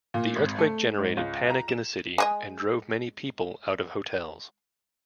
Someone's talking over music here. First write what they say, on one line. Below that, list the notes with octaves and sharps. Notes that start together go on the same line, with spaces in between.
The earthquake generated panic in the city and drove many people out of hotels.
A#2
G#1
A3
G#2
C#2
A#5
E7
G#3 G#4 D#5